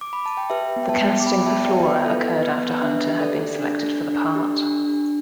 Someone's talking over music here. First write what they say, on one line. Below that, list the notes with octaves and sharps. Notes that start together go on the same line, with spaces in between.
The casting for Flora occurred after Hunter had been selected for the part.
D6
B5
A5
G5
G4 B4 E5
B3
G5
E5 A5
B3
D6
B3 G5 B5
E5 A5
B3
D5 G5
B3
B4 E5
B4
E4 A4
B3
B4
B3
D4 B4 E5
G4
A4 D5
G4
D4
D4
D4
G4
D4
D4